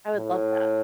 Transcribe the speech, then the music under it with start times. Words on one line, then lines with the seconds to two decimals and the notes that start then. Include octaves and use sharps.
I would love that.
0.16 A2